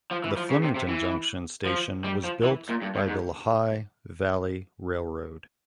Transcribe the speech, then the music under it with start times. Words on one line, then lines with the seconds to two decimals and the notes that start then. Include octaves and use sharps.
The Flemington Junction station was built by the Lehigh Valley Railroad.
0.11 F3
0.24 E3
0.37 F3
0.50 C#3
0.63 C3
0.76 C3
0.88 E3
1.66 F3
2.04 G3
2.24 F3
2.44 E3
2.69 A#2
2.82 G2
2.95 G2
3.08 G#2